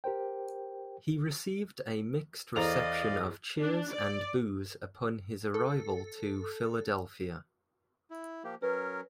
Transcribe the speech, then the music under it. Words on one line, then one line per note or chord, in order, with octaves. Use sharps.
He received a mixed reception of cheers and boos upon his return to Philadelphia.
G4 A#4 C5 G5
E2 A4 C5 D5 D#5 F5 A#5
D4
D5
A4
E4
F3 A#3 G4
F#3 C#4 A#4 B4